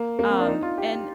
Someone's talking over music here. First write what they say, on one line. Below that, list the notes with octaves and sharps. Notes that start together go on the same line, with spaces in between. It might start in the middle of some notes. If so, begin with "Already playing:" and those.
Um, and
Already playing: A#3
A#3
C4
D4
D#4
F4
G4